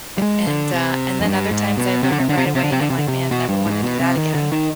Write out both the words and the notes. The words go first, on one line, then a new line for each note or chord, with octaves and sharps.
A and uh, and then other times, I learn it right away, and I'm like, "Man, never wanna do that again."
G3
G#3
D3
C3
F2
G2
G#2
B2
C3
D3
C3
D3
C3
D3
C3
D3
C3
D3
C3
D3
C3
B2
G2
G#2
B2
C3
D#3
D3
D#3